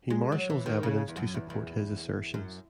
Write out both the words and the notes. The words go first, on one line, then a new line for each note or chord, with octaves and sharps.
He marshals evidence to support his assertions.
G#3
F#3
E3
D#3
C#3
E2
F#2
E2
E2
F#2